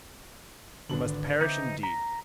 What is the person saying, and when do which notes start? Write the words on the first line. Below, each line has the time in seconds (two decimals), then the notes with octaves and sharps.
We must perish indeed.
0.90 G#1 D3 D4 B4 F#7
1.41 C4 D#4 E5 D6 G6
1.83 A#5 B6